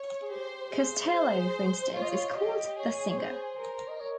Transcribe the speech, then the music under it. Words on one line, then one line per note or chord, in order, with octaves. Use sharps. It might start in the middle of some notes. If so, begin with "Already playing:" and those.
Costello, for instance, is called the singer.
Already playing: C#5
G#4
G4 C5
G#4 C5
C5
F4 C#5
D#5
C#5
G4 D#5
G#4 C#5
C#5
G#4 C5
A#4
D#5
C#5